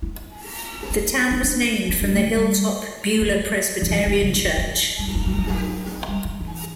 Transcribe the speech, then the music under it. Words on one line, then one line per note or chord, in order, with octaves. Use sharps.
The town was named from the hilltop Beulah Presbyterian Church.
E4
E4
D#4
D#4
D4
C#4
D4
A3
G3
F3
F#3
E3
F3
D#3
C#3
D#3
E3
E3
G3
F#3
F3
F#3
F3
F#3
G3
E3
E3